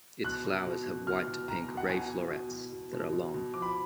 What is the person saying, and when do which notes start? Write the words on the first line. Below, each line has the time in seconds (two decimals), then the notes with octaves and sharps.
Its flowers have white to pink ray florets that are long.
0.24 B2 F#6
0.45 B2
0.66 B2
0.86 B2
1.07 B2 F6
1.28 B2
1.48 B2 A#5
1.68 B2
1.77 F#5
1.89 B2 G#5
2.09 B2
2.30 B2
2.51 B2
2.72 B2
2.93 B2
3.13 B2
3.34 B2
3.54 F3 D6
3.62 B5